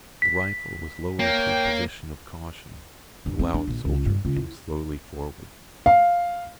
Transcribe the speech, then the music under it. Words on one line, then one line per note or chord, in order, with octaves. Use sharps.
The rifle was lowered to a position of caution and the loud soldier came slowly forward.
B6
A#3 C#5 G5
G2
C4
D4
A#1
C#2
G2
C#2
E4
F5